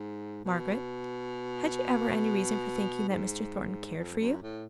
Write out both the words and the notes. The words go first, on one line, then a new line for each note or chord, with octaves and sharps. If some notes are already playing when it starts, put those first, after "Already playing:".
'Margaret! had you ever any reason for thinking that Mr. Thornton cared for you?'
Already playing: G#2
B2
G#2
F2
F#2
A2